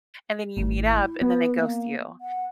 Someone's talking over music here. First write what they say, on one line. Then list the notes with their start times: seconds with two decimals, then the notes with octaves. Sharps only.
and then you meet up, and then they ghost you,
0.57 G#1 A3
0.79 E4
1.21 B3 B4
1.55 A#3
2.21 F#5